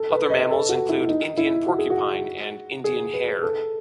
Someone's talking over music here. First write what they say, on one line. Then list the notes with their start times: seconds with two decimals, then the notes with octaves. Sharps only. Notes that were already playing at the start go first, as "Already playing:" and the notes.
Other mammals include Indian porcupine and Indian hare.
Already playing: A4
0.10 B4
0.30 D#5
0.50 A4
0.69 F#4
0.89 E4
1.02 E4
1.08 D#4
1.37 E4
1.66 F#4
1.78 G#4
1.90 F#4
2.84 G#4
3.13 B4
3.43 A4